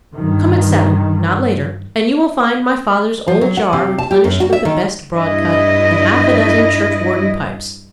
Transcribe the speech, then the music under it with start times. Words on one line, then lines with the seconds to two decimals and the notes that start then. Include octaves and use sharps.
Come at seven, not later, and you will find my father's old jar replenished with the best broadcut, and half a dozen churchwarden pipes.
0.16 G2 D#3
3.28 F3
3.41 F#3
3.57 F#5
3.73 C3
3.98 A5
4.11 G4
4.24 F#2
4.40 F#4
4.53 E5
4.65 D#3
5.12 G2 D4 E4 D#5